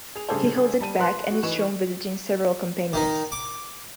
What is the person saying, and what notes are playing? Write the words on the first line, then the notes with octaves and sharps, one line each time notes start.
He holds it back and is shown visiting several companions.
G#4 F7
C#3 G3 D4 G#4 A4 C5
G3 A5 D#7
B4 C6 F#6
F#4
E3 D#4 B4 C#6 E7
D#3 D#4
D6